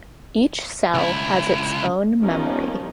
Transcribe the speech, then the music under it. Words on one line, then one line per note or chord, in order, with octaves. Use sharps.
Each cell has its own memory.
C#2 E4
D#3 F3 G3 B3 C#4 D#4